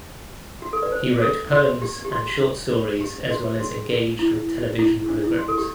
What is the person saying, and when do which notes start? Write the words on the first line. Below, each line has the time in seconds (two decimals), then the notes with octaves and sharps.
He wrote poems and short stories as well as engaged with television programs.
0.62 F#4
0.73 A4
0.82 B4 D5
0.92 C5
1.22 A4
1.52 F#4
1.82 G4
2.05 G4
2.12 F#4
3.01 G4
3.31 F#4
3.60 F#4
4.19 E4
4.79 E4
5.09 D4
5.24 E4
5.38 F#4
5.48 A4
5.58 G4